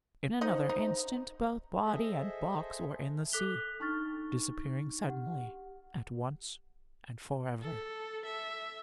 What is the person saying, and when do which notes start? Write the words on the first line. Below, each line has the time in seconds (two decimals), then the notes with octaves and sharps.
In another instant both body and box were in the sea--disappearing suddenly, at once and forever.
0.41 D#4 C5 D#5
0.69 D#4
1.84 G#4 A4 C5 D#5 E5
3.32 A4 D6 F#6 B6 F7 G7
3.80 D4 D#4 C#6 F6 A6
5.07 G4 F#5
7.61 A4
8.25 E5